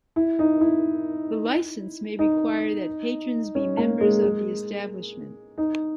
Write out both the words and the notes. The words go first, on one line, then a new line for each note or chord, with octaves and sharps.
The license may require that patrons be members of the establishment.
E4
D#4
E4
D#4
C#4
A#3
G#3
G#3
D#4